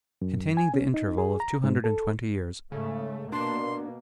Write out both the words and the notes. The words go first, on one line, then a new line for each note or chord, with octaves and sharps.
Containing The Interval Of Two Hundred And Twenty Years.
F#2
G#5
C#4
D#4
G#4
A#5
G#2
A4
G#2 C#3 A3
B2 A#3 D4 C6